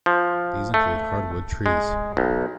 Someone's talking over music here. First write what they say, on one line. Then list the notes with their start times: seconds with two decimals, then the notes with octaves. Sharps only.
These include hard-wood trees.
0.06 F3
0.74 A3
1.66 G#3
2.17 B1